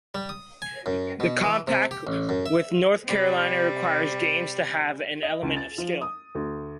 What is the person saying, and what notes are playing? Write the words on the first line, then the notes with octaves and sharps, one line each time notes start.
The compact with North Carolina requires games to have an element of skill.
G3
D#6
G#5
F#2
B2
E3
C3
G4
A1
F#2
E5
C3 G3
D#5
C#2
A6
F3
D#6
D2